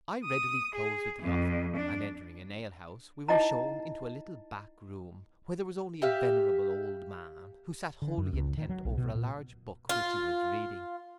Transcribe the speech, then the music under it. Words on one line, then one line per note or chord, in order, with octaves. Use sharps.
I readily closed with the offer, and entering an ale-house, we were shewn into a little back room, where there was only a venerable old man, who sat wholly intent over a large book, which he was reading.
D#6
G#4
F2
D4
D#4 E4 D#5 F#5 A#5
G4 E5 F5
D3
F#2
C#2
D#3
F#3
B1
B2
A#2
F4